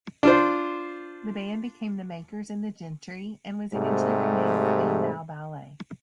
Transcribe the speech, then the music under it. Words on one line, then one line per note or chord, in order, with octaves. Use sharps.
The band became the Makers and the Gentry, and was eventually renamed Spandau Ballet.
D4 F4 C5
G#2 C3 G3 A3